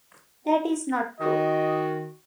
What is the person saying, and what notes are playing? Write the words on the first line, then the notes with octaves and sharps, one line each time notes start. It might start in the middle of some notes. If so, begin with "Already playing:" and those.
That is not true.
D#3 F#4 D#5